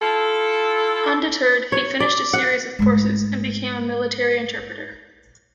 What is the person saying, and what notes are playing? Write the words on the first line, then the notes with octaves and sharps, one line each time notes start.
Undeterred, he finished a series of courses and became a military interpreter.
E4 F4 A4
C#5
D5
F#5
G#2 A3